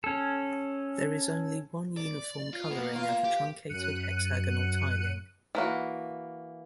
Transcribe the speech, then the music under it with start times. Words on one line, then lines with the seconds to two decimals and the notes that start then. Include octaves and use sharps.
There is only one uniform coloring of a truncated hexagonal tiling.
0.04 C#4 A4
1.97 D5
2.53 F4
2.71 A#3 B3
2.95 F4
3.24 G4
3.69 F#2 F#6 C#7 D#7
5.55 E3 A#3 F#4